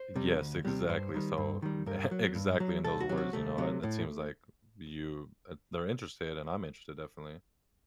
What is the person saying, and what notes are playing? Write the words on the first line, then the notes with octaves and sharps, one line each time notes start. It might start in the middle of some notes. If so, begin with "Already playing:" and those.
Yes, exactly. So the exactly in those words, you know? I it seems like you at they're interested, and I'm interested definitely,
Already playing: C5
C3 G3
D2
C3 G3
G2 C5
D#3 G3
G2
D#3 G3
G2 A#4
F#3
G2
F#3
C2 A4
F#4
C3 F#3
F#4
C2 A3
C3 F#3
A2